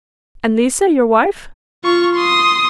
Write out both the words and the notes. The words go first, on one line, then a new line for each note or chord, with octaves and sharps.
"And Lise, your wife?"
F4 C#6
C6 D#6